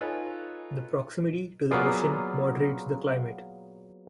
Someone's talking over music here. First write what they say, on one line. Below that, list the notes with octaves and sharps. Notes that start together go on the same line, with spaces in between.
The proximity to the ocean moderates the climate.
D#4 F4 A4 B4 C#5 G#5
F#3 A#3 B3 F4 G#4 D5